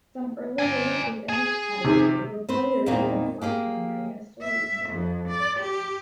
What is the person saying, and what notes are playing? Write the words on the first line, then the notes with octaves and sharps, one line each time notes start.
Some early releases in this category were players using flash memory as storage media.
D5 G#5
G#4 G#5
C3 D#3
C4 B4 C5
E2 A#2 D#3 A#3 C4 D#4
A#3 G4 G#4
E5
F2
D5
G4